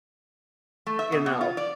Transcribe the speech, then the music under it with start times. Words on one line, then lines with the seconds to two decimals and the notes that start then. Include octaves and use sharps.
you know,
0.87 A3
0.99 E5
1.12 B2
1.26 B2
1.41 F4
1.57 D5